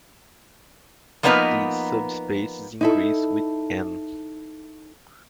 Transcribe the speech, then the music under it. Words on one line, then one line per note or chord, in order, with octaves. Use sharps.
These subspaces increase with "n".
F3 A#3 B3 D4 D#4 B4
D#4 E4 A4